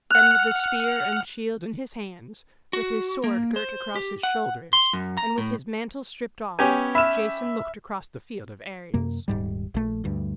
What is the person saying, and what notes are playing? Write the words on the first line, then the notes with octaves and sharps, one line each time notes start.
Then with the spear and shield in his hands, with his sword girt across his shoulders, and with his mantle stripped off, Jason looked across the field of Ares.
F#5 F6 F#6
F#4
A#3
C5
G4
F#5
C6
F#2
A#5
A2
B3 C#4 G4 G#5
E5 B5 F6 E7
F#2 C3 A#3
D#1 G#2 G3
A#1 A3
D2 G2